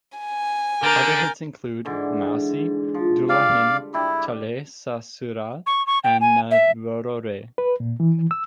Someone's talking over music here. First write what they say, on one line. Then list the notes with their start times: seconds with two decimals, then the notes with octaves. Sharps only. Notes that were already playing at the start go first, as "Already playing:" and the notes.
Other hits include "Mousie", "Dulahin Chale Sasural" and "Naroro Ray".
0.19 G#5
0.83 D3 A#4 G6 A6
1.85 G#2 D3 E3
2.94 F3
3.29 G3 D5 F5
3.94 D4 E4 G4
5.67 C#6
5.87 C#6
6.04 G5
6.21 G#5
6.51 E5
7.58 B4
7.80 A#2
8.00 E3
8.31 E6